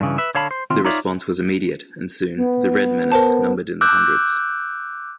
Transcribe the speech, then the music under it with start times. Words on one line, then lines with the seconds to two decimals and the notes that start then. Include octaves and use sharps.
The response was immediate, and soon, "The Red Menace" numbered in the hundreds.
0.01 G2 C#3 E3
0.18 B4 E5
0.35 D3 C#5 F5 A5 B5
0.51 C5
0.70 D#3 C4 F4
0.85 D#4 F4 C#5 D5 E5 F5
2.37 B3
3.12 A#4 C5 A5
3.81 D6 E6 F#6 G6